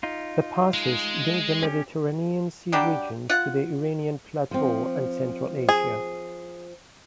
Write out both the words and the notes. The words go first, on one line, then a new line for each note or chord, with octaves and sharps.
The passes linked the Mediterranean Sea regions to the Iranian Plateau and Central Asia.
D#4 F4
G#3
C#4 G4
F#3 G3 D4 G4
F4 F#5
F3 C4
G#4